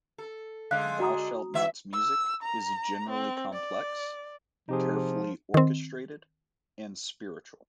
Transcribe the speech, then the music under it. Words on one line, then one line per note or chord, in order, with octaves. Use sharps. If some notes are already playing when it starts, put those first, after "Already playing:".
ThouShaltNot's music is generally complex, carefully orchestrated, and spiritual.
A4
D3 G#3 F5 F#6
F#4 A#5 D#6
E3 E5
E6
A#5
C4
D5
C3 F3 D#4 G4 G#4
D#3 C4